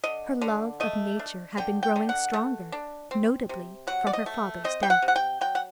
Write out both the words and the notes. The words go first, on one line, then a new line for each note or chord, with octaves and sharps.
Her love of nature had been growing stronger, notably, from her father's death.
D3 D#5
D3
A3 D#5
D4
D3 G5
G5
D3
F#5
A3
D4
C4
C3
F#3 F#5
D5
D#5
A3
C4 D#5
G5
F#5
C3
F#5
G5
F#3 G5
F#5